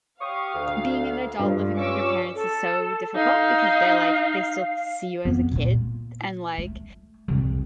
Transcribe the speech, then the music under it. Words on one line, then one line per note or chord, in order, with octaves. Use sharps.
being an adult living with your parents is so difficult because they're like they still see you as a kid, and, like,
G4 F5 C#6 D#6
D2
G2 F4
C#4 C#6 D6 E6
A4
D#4 F5
F2 B3
A#2 F4
A3
C2 F2